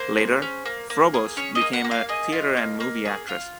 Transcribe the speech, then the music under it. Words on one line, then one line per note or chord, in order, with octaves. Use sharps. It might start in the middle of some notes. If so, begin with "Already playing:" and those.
Later, Froboess became a theatre and movie actress.
Already playing: A#3 C5
G#4
C#4
A#3
A#3
G#4
C#4 C#5
D#5
A#3
F#5
A#3
F5
G#4 D#5
F4
A#3
A#3
G#4
F4